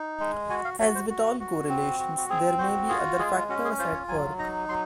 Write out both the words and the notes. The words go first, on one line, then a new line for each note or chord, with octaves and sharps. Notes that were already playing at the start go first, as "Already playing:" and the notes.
As with all correlations, there may be other factors at work.
Already playing: D#4
G#3
F#4 G#5
F5
F#4 C#5
C5
F#4
F#4
C4
F#4
F#4
C4 G#4
F#4 C5
F4 G#4
G#3 G#4
C#4 F#4
G#4
F4 C5
C#5
F#3 G#5
D#4 A#5
F#3 C6